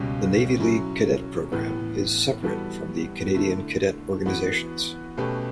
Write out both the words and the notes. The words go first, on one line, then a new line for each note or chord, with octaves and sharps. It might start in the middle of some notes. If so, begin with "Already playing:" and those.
The Navy League Cadet Programme is separate from the Canadian Cadet Organizations.
Already playing: C#2 B2 G3 C#4 G4
F#3 C#4 E4
A2 E3 B3
E3 G3 B3 F#4 A4
D3 A3 E4
E3 B3 F#4 B4
B2 A3 C#4 G4 B4